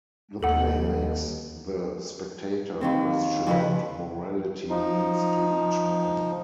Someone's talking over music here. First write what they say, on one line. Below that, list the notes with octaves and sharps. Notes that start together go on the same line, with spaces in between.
The play makes the spectator question what morality means to each man.
D#2 A4 F#5
D#2 D#3 C4
F2 C#3 B4
F3 D#4